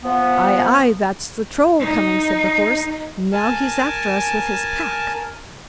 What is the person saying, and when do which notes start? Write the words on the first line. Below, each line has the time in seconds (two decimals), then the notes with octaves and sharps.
'Aye, aye, that's the Troll coming', said the Horse; 'now he's after us with his pack.'
0.03 F3 B3
1.80 D#4
3.32 A#4 G#5 A5